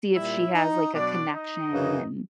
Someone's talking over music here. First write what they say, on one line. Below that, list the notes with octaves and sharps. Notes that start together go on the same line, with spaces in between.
See if she has, like, a connection and
A#2 G3 E4 E5
D#4 D#5
B2 F#3 D4 D5
D#4 D#5
F#2 C#3 E3